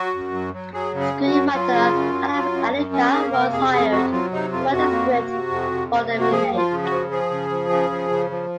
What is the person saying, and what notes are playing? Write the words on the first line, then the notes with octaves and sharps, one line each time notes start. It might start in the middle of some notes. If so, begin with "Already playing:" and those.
Screenwriter Adam Alleca was hired to write the script for the remake.
Already playing: F#3 F#4
F#2
F#3
F#3
F#3 G#4
C#3
G#4
F#2
F#4
F#3
F#3 F4
C#3
F#2
F#3
F#3
F#2
F#2
C#4
A#3 G#4
C3 A#4
F2 G#4
F2 G#4
C3 F#4
F#3 F4
C3 D#4
F2 F4
F2 F#4
A#3
C3
C3
F2
C3
C3
A#3
F#4
F3 G#4
F3
F4
C#3
F#4
F3
F3 G#4
C#3
F3
C#3
F3
C#3
F3